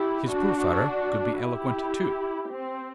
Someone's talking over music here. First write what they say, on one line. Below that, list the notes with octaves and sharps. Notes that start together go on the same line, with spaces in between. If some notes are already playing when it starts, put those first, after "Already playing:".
His poor father could be eloquent, too.
Already playing: E4 G4
D4 F#4
E4 G4
C4